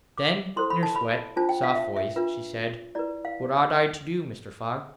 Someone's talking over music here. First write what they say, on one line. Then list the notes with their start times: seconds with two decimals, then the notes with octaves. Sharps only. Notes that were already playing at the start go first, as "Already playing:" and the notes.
Then, in her sweet, soft voice, she said: "What ought I to do, Mr. Fogg?"
0.18 D6
0.56 E4 A4 C5 C6
0.70 B5
0.83 A5
0.96 B5
1.36 D4 F4 C5 A5
1.49 G5
1.63 F5
1.76 E5
1.96 E5
2.16 D4 F4 B4
2.95 E4 B4 D5
3.25 F5